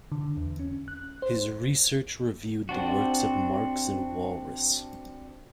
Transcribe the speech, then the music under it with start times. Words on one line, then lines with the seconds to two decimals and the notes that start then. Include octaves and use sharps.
His research reviewed the works of Marx and Walras.
0.12 D3
0.37 E2
0.59 C#4
0.88 F#6
1.22 C5
2.69 C4 D4 F#4